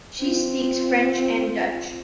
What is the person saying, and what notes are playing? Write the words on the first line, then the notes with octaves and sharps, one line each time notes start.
She speaks French and Dutch.
C4 F4